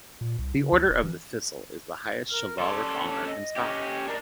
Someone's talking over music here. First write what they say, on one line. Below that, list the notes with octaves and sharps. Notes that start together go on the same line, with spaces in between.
The Order of the Thistle is the highest chivalric honour in Scotland.
A#2
C2
C#3
D2
D#1
E3
A#4 F6
C#4 A4 D5 C6 D6
D4
D#5
C#4 G4
D4 D#4 A#4 A5